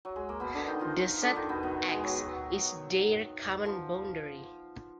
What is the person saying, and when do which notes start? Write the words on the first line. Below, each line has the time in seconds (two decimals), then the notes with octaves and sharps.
The set "X" is their common boundary.
0.05 F#3
0.16 G#3
0.29 A#3
0.40 B2 B3
0.54 D3 D4
0.67 D#3 D#4
0.81 F3 F4
1.22 D3 D4
1.36 D#3 D#4
1.49 B2 B3
1.63 B2 B3
1.93 G#3
2.04 F#3
3.66 F3